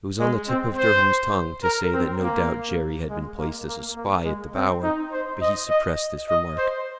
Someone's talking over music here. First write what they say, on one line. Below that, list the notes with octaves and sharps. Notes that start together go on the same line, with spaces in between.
It was on the tip of Durham's tongue to say that no doubt Jerry had been placed as a spy at the Bower, but he suppressed this remark.
G#3
C4
C5
A#4
C4
A#3
G#3
A#3
A#3
A#3
G#3
C4
D#4
C5
D#5
D#5
D#5
C5